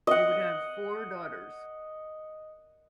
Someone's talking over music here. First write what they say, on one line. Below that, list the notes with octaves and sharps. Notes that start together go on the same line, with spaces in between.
They would have four daughters.
D#5 F#5